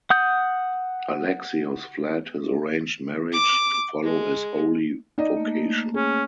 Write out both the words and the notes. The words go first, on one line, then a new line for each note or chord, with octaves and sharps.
Alexius fled his arranged marriage to follow his holy vocation.
F#5 D#6 G6
D6
G#3
D#4 D5 D#5
A3 A#3
C#4 G#4